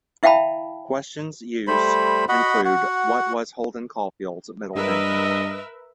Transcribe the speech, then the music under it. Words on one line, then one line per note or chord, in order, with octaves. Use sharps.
Questions used include What was Holden Caulfield's middle name?
E4 E5 F5 G5 A5 B5
G3 A3 C5 B5
F#4 D#5 F#5 B5
F#4 F#5
G2 A#4 B4 D#5 E5